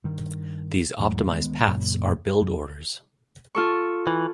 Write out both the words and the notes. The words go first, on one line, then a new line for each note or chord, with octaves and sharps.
These optimized paths are build orders.
G2 D#3
E2 G#2 F#3 A3
D2 D#3 G#3 B3
F#2 A#2 C#3
F#2
F4 A4 C#6
E3